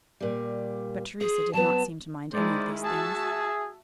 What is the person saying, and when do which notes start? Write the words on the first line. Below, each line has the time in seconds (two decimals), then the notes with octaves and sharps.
But Theresa did not seem to mind any of these things.
0.20 A#2 G3
1.21 G#4 C5
1.53 F#3 B3 A5
2.33 D#3 G#3 E4 C5 D5
2.84 F#4 G#4 E5 A5